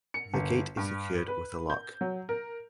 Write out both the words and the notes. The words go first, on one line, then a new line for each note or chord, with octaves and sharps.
The gate is secured with a lock.
C#7
G1
G2
B4
G6
F#3
A#4